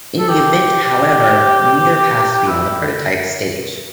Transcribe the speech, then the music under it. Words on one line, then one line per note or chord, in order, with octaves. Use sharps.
In the event, however, neither passed beyond the prototype stage.
A4
G4
G4
E4